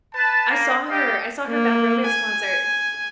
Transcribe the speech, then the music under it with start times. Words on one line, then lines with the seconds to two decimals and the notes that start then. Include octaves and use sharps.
I saw her I saw her Bad Romance concert.
0.15 B4 A5
0.50 A#3
0.89 G3 G4 D#5 F5 G5
1.48 A#3
2.07 G#5